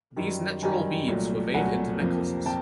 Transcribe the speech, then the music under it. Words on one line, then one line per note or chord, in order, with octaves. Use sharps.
These natural beads were made into necklaces.
F#2 D#3 G3
F#2 D#3 G3 G#5 A#5
C2 A#2 F#3 A3
C2 A#2 F#3 A3 F#5 G#5
F2 C3 F3 A#3
C3 F3 A#3 G5 A5